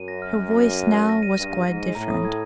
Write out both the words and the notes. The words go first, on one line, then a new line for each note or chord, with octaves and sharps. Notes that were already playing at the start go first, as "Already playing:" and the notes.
Her voice now was quite different.
Already playing: F#2 D#7
A#6
F6
A#6
A#6
D#7
D#7
D#7
A#6
D#7
G2 A#6
A#6
G#2 A#6
D#7
A2 A#5
D#6
G#6